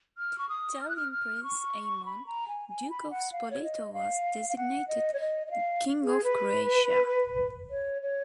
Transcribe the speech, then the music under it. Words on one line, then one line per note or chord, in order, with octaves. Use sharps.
Italian prince Aimone, Duke of Spoleto was designated King of Croatia.
F6
C#6
D#6
F6
F#6
F6
F6
C#6
B5
A#5
G#5
G#5
B5
F#5
F5
C#5
D#5
F5
F5
F#5
D#5
C#5
D#5
D#5
F5
G#4
B4
C#5
C#5